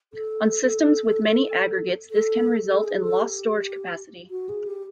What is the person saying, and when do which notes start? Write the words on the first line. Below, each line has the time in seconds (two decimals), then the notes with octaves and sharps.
On systems with many aggregates this can result in lost storage capacity.
0.13 A4
2.11 A4
2.66 A4
2.84 G#4
3.02 A4
3.20 G4
4.30 F#4
4.49 G#4
4.67 G4